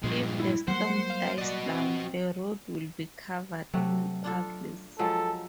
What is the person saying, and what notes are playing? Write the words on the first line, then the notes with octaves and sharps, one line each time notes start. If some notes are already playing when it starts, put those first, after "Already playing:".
If the storm dies down, the road will be covered in puddles.
G2 A#2 F3 G#3
E4
F#3 G3 A#3 C5 F#5
F5
F#4 D5 D#5
C4
C3 F#3 A3 F#4
D4 F4 A4
F3 F#3 G#3 A4